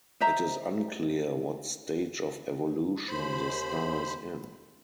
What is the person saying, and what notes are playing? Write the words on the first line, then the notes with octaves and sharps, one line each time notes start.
It is unclear what stage of evolution the star is in.
C5 D#5 E5 A#5
D#2 C5 B5